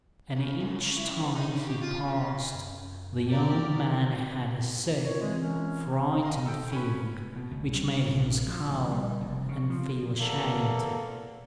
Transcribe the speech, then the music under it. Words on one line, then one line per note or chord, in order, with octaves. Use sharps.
And each time he passed, the young man had a sick, frightened feeling, which made him scowl and feel ashamed.
C#3
F2
C#3
E4
B2
D#4
C#3
G4
F4
C#3
F#2
G4 A#4 D5
F4 A#4 C#5
E3 G#3 C4
C#4
D#5 F5 A#5
A4 G5
C#4 B4
B2
C#2
G3
C#3
A#1
F3
A1
G3
F1
C#3
F3
E2 A#3 A4